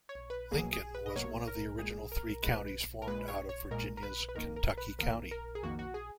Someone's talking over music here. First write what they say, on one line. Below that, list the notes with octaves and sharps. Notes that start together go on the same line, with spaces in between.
Lincoln was one of the original three counties formed out of Virginia's Kentucky County.
C#5
B4
B2 F#3 A#3 G#4
G#4
B4
D#5
B2 F#3 A#3 C#5
A#4
A#2 G#3 G#4
A#4
A#2 G#3 B4
A#4
A#2 G#3 B4
C#5
C#5
A#2 G#3 A#4
A#4
B4
B4
F2 D#3 A#3 A#4
A#4
B4
F2 D#3 A#3 A#4
A#4
G#4
F2 D#3 A#3 F#4
F#4
G#4